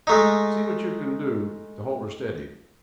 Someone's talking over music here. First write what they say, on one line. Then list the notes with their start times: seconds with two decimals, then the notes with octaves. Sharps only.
See what you can do to hold her steady.
0.07 G#3 A3 D#4